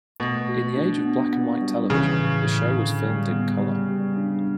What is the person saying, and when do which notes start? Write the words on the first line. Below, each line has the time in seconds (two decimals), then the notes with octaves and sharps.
In the age of black-and-white television, the show was filmed in color.
0.20 B2 A3
0.48 F#4
0.77 D4
1.05 B3
1.33 B3
1.62 G3
1.90 C#3 E3
2.19 A2
2.46 A2
2.75 D3
3.04 G3
3.31 B3
3.60 G3
3.89 G3
4.17 D4